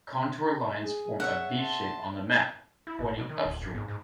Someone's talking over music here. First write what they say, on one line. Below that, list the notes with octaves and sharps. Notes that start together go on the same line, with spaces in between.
Contour lines form a V-shape on the map, pointing upstream.
G#4
C#5 E5 F#5
A5 C6
E4
G#1
B2
D#3
D1
G#1
G#2
G#2